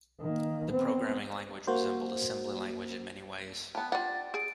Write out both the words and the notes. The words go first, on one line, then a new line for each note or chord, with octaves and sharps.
The programming language resembled assembly language in many ways.
D#3 A#3
B3 C4
A#3 F#4 C5
B3 G4 A5
D4 F4 G4 F#5 A6
G#4 D7